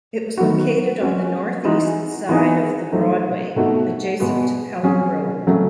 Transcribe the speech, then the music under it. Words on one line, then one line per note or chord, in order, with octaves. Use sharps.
It was located on the north-east side of The Broadway adjacent to Pelham Road.
D#3 F#3 B3 F#4
G#3 C#4 F#4
E3 G#3 D#4 F#4
E3 B3 D#4 G#4
F#3 A3 D#4
B2 A3 D#4 F#4
B2 G#3 B3 F#4
F#3 C#4 G#4
C#3 F#3 A3